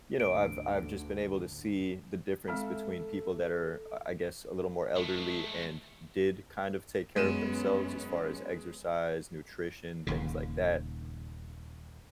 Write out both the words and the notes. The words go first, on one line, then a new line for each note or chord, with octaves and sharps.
you know, I've I've just been able to see the difference between people that are, I guess, a little more elderly and did kind of take care of themselves as far as exercise, nutrition, things like that
D2 G#2 D3 D7
G#3 C4 A4 E5
G#3 A3
F#2 G#3 B3 C#4 D#7 E7
D#1 D#2 C#3